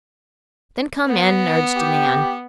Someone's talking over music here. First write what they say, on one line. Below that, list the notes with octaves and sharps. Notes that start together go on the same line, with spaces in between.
"Then come in," urged Nan.
B3
G4